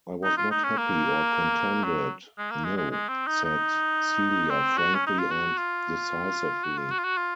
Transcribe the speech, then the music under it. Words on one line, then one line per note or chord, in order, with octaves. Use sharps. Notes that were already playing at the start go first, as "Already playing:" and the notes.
"I was not happy or contented — no," said Celia frankly and decisively.
D#4
F4
D#4
C#4
A#3
F#3
G#3
A#3
G#3
G#3
G#3
C4
D#4
D#4
C4
F#4
C#4
D#4
F4
F#4
F4
F#4
F4
F#4
F4
F#4
F4